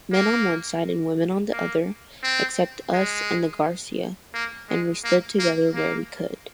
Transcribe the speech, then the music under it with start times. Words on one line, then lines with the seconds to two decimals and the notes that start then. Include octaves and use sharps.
Men on one side and women on the other, except us and the Garcia, and we stood together where we could.
0.13 A#3
1.53 A#3
2.23 C4
2.94 G#3
4.34 A#3
4.69 G#3
5.05 A#3
5.39 A#3
5.75 A#3